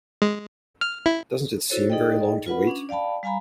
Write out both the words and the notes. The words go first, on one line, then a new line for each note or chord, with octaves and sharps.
Doesn't it seem very long to wait?
G#3
F6
E4
E4 F#4 A4 C5 C#5
D#4 G#4 A4 D5 D#5 G5
F4 B4 F#5 B5
C#4 D4
D5 F5 G5 A5 B5
G3 F5 G#5 A#5 B5